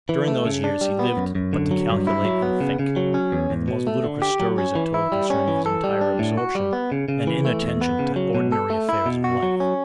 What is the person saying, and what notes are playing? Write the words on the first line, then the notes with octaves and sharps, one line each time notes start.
During those years he lived but to calculate and think, and the most ludicrous stories are told concerning his entire absorption and inattention to ordinary affairs of life.
E3
A3
C#3
D4
G3
B3
F#2
F#2
D3
F#3
G2
E4
F#3
B3
C#3
C#3
F#3
C#4
E2
E2
B2
A3
D3
G4
F#3
C#4
E3
E4
G3
C#4
E3
A4
G3
D4
A2
F#4
G3
B3
C#3
C#3
E3
A3
E2
B3
C#3
F#3
B2
A4
A3
E4
B2
F#4
F#3
C#4